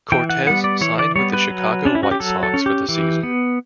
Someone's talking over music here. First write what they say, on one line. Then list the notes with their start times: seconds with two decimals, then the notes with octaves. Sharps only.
Cortez signed with the Chicago White Sox for the season.
0.12 E3 G5
0.29 F#5
0.46 G3 B3 F#5
0.64 D5
0.81 E3 C#5
0.99 D5
1.16 G3 B3 C#5
1.33 B4
1.50 F#3
1.85 C#4 D4
1.95 E4
2.03 F#4
2.11 G4
2.20 F#3 A4
2.43 A4
2.54 C#4
2.66 G4
2.89 E3
3.23 B3